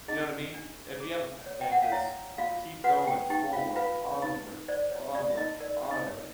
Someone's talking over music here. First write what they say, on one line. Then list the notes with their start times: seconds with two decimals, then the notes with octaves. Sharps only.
you know what I mean? If you have a pa and just keep going forward, onward, onward, onward.
0.08 D#4 G#4 D#5
0.54 D4
1.00 G#4
1.46 C#5
1.61 G5
1.72 F#5
1.82 F5
1.92 E4 C#5 E5
2.38 F4 F#4 F5
2.84 F#4 B4 F#5
3.07 G4 G5
3.30 D#4 G4 G5
3.53 F4 F5
3.76 F4 B4 F5
4.22 D#4
4.68 C5 D5
4.91 C#5
5.15 F4 D5
5.30 E5
5.37 D#4 D#5
5.60 A#4 D5
5.91 D#4 D#5
6.07 C#5